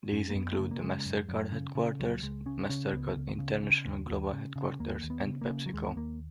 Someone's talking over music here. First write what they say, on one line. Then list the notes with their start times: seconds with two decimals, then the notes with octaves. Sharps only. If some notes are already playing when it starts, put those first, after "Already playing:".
These include the MasterCard headquarters, MasterCard International Global Headquarters, and PepsiCo.
0.12 F#2 C#4
0.30 A#3
0.35 F#2 B3
0.52 B3
0.58 C#3 A#3
0.71 A#3
0.82 C#3 G#3
1.05 F#2
1.29 F#2
1.52 C#3
1.75 C#3
1.99 C#2 F#3
2.22 C#2 G#3
2.46 C#3 C#4
2.70 C#3 C#4
2.92 C#2 B3
3.16 C#2
3.39 C#3
3.62 C#3
3.86 D#2
4.10 D#2
4.33 C#3
4.56 C#3
4.79 D#2 A#3
5.03 D#2
5.10 B3
5.26 C#3
5.41 A#3
5.49 C#3
5.66 F#3
5.73 D#2 G#3
5.87 B3
5.96 D#2 A#3